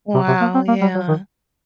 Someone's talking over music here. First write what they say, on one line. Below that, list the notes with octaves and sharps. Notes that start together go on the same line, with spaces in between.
Wow, yeah.
C3
C3
A#3
C4
A#3
G3
F#3
D#3